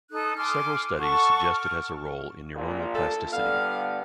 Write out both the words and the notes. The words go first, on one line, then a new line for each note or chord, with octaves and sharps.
Several studies suggest it has a role in neuronal plasticity.
D#4 A4 D#6 F#6
G#5 C6 D6 F6
A4 F#5 A5 C#6
D6 F6
A#1 A#2
A4
D3 G3 B3 F5